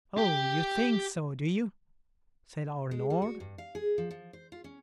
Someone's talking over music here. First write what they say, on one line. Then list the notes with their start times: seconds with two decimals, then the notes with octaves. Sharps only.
'Oh, you think so, do you?' said our Lord.
0.17 G4 G5
2.91 G#3
3.10 G3
3.22 F#4
3.40 G2
3.58 F5
3.75 G#4
3.98 F3
4.11 F3
4.33 C5
4.52 F4
4.64 C#4